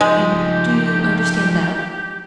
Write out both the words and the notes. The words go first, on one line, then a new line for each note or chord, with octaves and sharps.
"And do you understand them?"
F3 G#3 D#4 G4